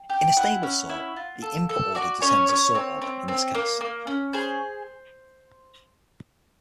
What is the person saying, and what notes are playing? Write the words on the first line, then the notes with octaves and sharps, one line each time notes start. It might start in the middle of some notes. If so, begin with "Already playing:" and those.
In a stable sort, the input order determines the sorted order in this case.
Already playing: G5
G4
E4 F#5
C#4
E4
F4
A4
A4
F#4 D5
C#4 C#5
C#4 C#5
C4 C#5
C4
C4
A#3
A#3
C#4
G#4 C5